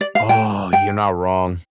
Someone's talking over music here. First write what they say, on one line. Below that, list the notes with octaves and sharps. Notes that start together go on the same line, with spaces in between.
Oh, you're not wrong.
D5
F5
G5
G5